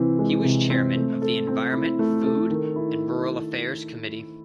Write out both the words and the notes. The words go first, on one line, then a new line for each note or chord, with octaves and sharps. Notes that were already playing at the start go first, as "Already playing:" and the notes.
He was Chairman of the Environment, Food and Rural Affairs Committee.
Already playing: C3 E3 C4
G#3
C3
C4
A3
A4
C4
E4
A3
A4
D#3
E4